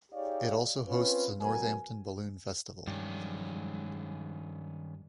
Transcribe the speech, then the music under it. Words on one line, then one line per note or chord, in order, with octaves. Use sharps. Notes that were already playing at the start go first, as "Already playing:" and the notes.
It also hosts the Northampton Balloon Festival.
D#4 G4 G#4 C#5 D5 F5
C4 C#4 F4 B4
C#2 B2 F#3 B3 A#4 G#5
G2 D#3 F3 F#3 G#3 C#4